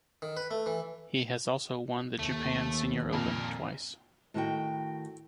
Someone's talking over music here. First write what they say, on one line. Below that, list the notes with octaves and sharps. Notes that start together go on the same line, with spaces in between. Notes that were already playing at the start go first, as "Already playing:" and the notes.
He has also won the Japan Senior Open twice.
D#3
B4
A3
E3
D#2 A3
F2 A#2 D4 A#4
A2 D#3 F#4 G5